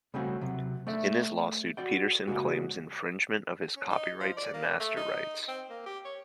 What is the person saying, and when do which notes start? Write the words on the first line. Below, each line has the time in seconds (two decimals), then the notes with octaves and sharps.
In his lawsuit Peterson claims infringement of his copyrights and master rights.
0.14 C#3 G3 A3 C4 C#4 F#4
0.41 C3 F#3
0.87 A3 D5 E5
1.77 F#4 D5 G5
2.27 C#3 G#3 A#3 F#4
3.76 C#4
3.90 D#4
4.20 F3
4.37 D5
4.54 A#3
4.80 A3
4.96 D#4
5.48 C4
5.70 A#3
5.86 G4
6.05 C#5